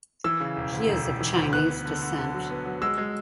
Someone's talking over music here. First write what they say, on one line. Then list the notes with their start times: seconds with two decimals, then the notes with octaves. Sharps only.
He is of Chinese descent.
0.24 E3 E6
0.40 C#3
0.57 E1
0.73 D2
0.89 E1
1.05 E1
1.21 E3
1.37 D2
1.53 B3 F#6
1.69 B3
1.86 D3
2.01 D3
2.17 D3
2.34 F#3
2.50 B3
2.66 F#3
2.82 G#3 E6
2.98 G#3